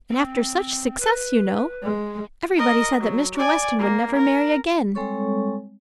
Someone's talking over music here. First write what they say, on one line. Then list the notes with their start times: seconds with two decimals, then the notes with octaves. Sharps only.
And after such success, you know!--Every body said that Mr. Weston would never marry again.
0.11 C4
1.00 B4
1.83 G#3
2.57 A#4 D#5
3.00 F#3
3.36 D5 G#5
3.79 A#3
4.16 A#4
4.95 G3 G#3 C4 A4 C#5 C#6